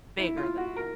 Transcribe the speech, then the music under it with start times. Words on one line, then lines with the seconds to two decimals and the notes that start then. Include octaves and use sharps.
bigger than that.
0.18 E4
0.37 F4
0.57 F#4
0.76 A#4